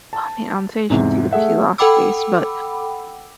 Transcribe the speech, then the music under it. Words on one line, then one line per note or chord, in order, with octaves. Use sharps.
I mean, I'm say you should do the peel off base, but
A5
E2 G#2 C3
A3 G#4 E5 F#5
A4 F#5 G5 B5 D6 E6